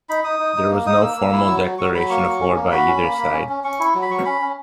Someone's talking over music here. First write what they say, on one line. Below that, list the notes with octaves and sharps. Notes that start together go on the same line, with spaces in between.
There was no formal declaration of war by either side.
D#4 B5
D#4 D#6
D#4
D#4
A#3
D#4 D#6
A#3 E6
A#3
E4
F#3
F#3
F#3 C#6
F#3 B5
A#3 C#6
F#3
C#4
A#3
F#4 B5
C#4
A#3
A#3
C#4
C#4
C#4 C#6
E4
F#3
B5
F#3 C#6
C#4 B5
C#4